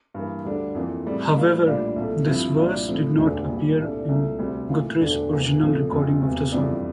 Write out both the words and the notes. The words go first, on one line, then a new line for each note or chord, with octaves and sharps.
However, this verse did not appear in Guthrie's original recording of the song.
G2 E3 A#3
D2 D3 G3 D4
F2 E3 A#3
A2 G3 C4
A2 G3 A#3 F4
A#1 A2 G3 D4 F4
C2 A#2 A3
G2 F3 C4 E4
C2 A#2 G3 D4 F4
A2 F3 C4
E1 D2 D3 A3 D4
A#1 A#2 G3
C2 A#2 A3 D4
C2 A#2 A3
D2 C3 G3
A2 E3 A#3 F4
E1 D2 D3 A3 D4
E1 E2 E3 A#3
A#1 A#2 F3 A3 C4
F1 F2 C3
E1 E2 C3
G1 F2 E3 G3 D4